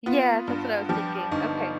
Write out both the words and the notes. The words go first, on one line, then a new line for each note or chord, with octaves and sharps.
Yes, that's what I was thinking. Okay.
B3 F4
G2
F3 G4
G1 D#4